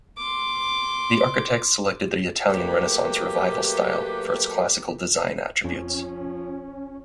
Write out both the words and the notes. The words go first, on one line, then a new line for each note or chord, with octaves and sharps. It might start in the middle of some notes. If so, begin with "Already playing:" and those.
The architects selected the Italian Renaissance Revival style for its classical design attributes.
C6 D6
F#3 A3 A#3 G4 B4
F2 F3 C#4